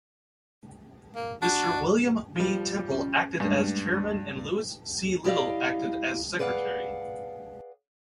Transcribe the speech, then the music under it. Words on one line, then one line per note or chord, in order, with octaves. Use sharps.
Mr. William B. Temple acted as Chairman and Lewis C. Little acted as Secretary.
A#3
D4 F#4
F3 G3
C#4
G2 G#3 A3 D4
E4 G4 D5 D#5 F5
G#4 B4 D5 F5 F#5